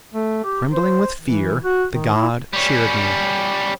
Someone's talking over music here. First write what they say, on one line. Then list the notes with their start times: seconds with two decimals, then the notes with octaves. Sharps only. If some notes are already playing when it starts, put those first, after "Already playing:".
Trembling with fear, the god cheered me.
0.14 A3
0.44 G4
0.72 C5
1.22 E3
1.63 F#4
1.92 D#3
2.14 E4
2.53 G3 C#4